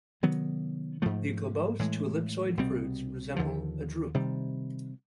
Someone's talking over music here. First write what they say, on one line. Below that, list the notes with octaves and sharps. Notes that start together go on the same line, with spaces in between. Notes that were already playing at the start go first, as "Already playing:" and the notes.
The globose to ellipsoid fruits resemble a drupe.
C3 D#3 F#3 B3
G#2 F3 A3
A2 E3 G#3
C2 B2 G3 C4
D#2 D3 F3
C3 D#3 G3